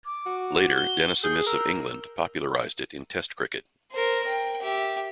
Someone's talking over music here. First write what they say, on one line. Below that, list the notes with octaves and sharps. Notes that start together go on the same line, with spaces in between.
Later Dennis Amiss of England popularised it in Test cricket.
D6
F#4
G7
G#4 G6
A#4 E6
A#4 C5
G5
G4 E5